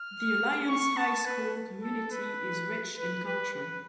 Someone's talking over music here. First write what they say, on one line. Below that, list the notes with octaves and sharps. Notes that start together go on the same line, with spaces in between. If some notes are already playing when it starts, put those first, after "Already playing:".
The Alliance High School community is rich in culture.
Already playing: F6
C#6
A5
B4
A4
B4
B4
B4
B4